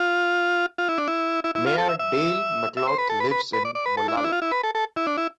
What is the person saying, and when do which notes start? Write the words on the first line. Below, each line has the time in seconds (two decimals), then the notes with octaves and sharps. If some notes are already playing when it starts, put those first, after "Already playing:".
Mayor Dale McLouth lives in Molalla.
Already playing: F4
0.78 F4
0.89 E4
0.98 D4
1.08 E4
1.44 E4
1.55 E4
1.66 F4
1.78 A4
1.89 E5
1.99 E5
2.77 E5
2.87 C5
2.98 B4
3.10 A4
3.20 B4
3.31 B4
3.53 B4
3.65 D5
3.75 D5
3.86 B4
3.97 A4
4.08 E4
4.17 D4
4.24 E4
4.32 F4
4.42 E4
4.52 B4
4.63 A4
4.75 A4
4.96 E4
5.07 D4
5.17 E4